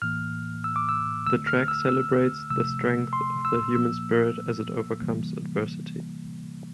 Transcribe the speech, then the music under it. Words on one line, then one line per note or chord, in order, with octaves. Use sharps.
The track "celebrates the strength of the human spirit as it overcomes adversity".
A2 E3 A#3 F6
E6
D6
E6
D3 A3 E6
F6
E6
E6
C3 F3 A3 E6
C6
E6
A#2 F3 A#3 E6
C3 E3 G3 A#3